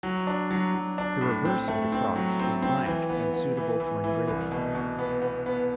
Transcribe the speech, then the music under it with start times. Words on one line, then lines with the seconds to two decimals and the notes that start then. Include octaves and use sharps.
The reverse of the cross is blank and suitable for engraving.
0.03 F#3
0.27 D4
0.51 F#3
0.74 F#3
0.98 D4
1.21 A2
1.45 C4
1.68 A3
1.92 C4
2.16 F#3
2.39 C4
2.62 C4
2.86 E3
3.10 B3
3.34 B3
3.57 E3
3.80 E3
4.04 E3
4.27 C2
4.52 B2
4.75 B2
4.99 B3
5.22 B3
5.46 B3